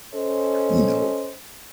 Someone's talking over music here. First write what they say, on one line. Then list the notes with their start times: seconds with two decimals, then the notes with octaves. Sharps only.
you know,
0.14 C#4 A4 C5 D#5